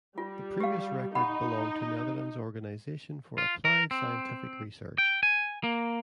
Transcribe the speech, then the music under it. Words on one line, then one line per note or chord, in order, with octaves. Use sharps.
The previous record belonged to Netherlands Organisation for Applied Scientific Research.
G3 F4
G4 F5
D#4 G4 F#5 B5
F4
A#4
C4
G5
G#5
A#3